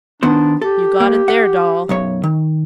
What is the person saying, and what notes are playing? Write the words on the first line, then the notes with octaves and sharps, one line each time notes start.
'You got it there, Doll.
D#3 B3 D4 C5
G4 A4
A#3
F#5
B1 F#2 C#5
D#3